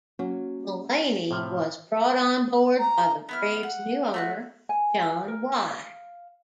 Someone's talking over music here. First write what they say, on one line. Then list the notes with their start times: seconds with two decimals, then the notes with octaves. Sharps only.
Mullaney was brought on board by the Braves' new owner, John Y.
0.19 F#3 A#3 C#4
1.31 A2 C3 F3 C5 F6
2.79 A#5
3.29 B3 E4 F6
3.63 F#5
4.14 A3 F#4 F#6
4.69 G#5
5.28 A#4
5.70 F5